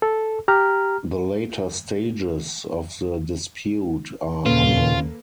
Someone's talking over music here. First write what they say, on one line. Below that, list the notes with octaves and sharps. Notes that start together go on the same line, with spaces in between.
The later stages of the dispute are unknown.
A4
G4 A#5 F6
D#2 A#2 C#3 A#3 C#4 F4 A4 B4